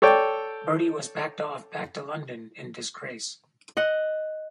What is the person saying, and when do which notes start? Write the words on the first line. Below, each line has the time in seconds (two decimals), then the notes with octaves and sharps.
Bertie was packed off back to London in disgrace.
0.02 A4 C#5 D5 G5
3.77 D#5 F#5